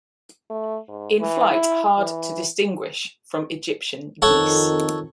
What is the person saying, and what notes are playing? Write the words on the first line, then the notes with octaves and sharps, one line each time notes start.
In flight hard to distinguish from Egyptian geese.
A3
G#2
E3
E4
E3
F2 D#3 A4 C#5 F#5